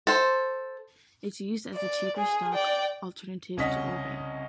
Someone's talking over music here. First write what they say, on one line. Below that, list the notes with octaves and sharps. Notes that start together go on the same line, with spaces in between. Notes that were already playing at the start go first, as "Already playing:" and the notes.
It's used as the cheaper stock alternative to Orbit.
A4 C5
D5
G#4
D5 G5
C2 C#3 C#4 D#5 F#5 B6